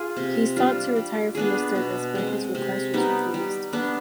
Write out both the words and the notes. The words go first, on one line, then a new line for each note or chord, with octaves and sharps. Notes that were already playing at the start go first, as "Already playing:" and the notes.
He sought to retire from the service but his request was refused.
Already playing: F4 G#4
C3
G3 D4 F4
G3
B3 D4 G#4
B2
G#3 C4
C3
G3 B3 D#4
G3
B3 D4